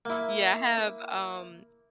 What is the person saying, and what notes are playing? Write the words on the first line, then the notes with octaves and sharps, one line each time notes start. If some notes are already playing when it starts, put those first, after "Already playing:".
yeah, I have, um,
A#3 E4